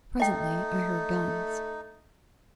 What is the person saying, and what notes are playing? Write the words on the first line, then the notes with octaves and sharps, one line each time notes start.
'Presently I heard guns.
A3 D#4 D#5 G5